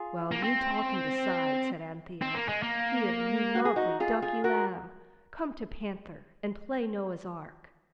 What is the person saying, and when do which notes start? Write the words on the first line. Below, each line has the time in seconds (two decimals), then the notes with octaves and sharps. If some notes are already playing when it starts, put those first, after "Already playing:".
'Well, you talk and decide,' said Anthea; 'here, you lovely ducky Lamb. Come to Panther and play Noah's Ark.'
Already playing: F4 G#4
0.31 A#3
0.43 C4
2.22 C4
2.35 A#3
2.49 G#3
2.63 A#3
3.55 F#4
3.65 G#4
3.76 D#4 F#4
4.00 F4 G#4
4.22 F4 G#4
4.44 F#4 A#4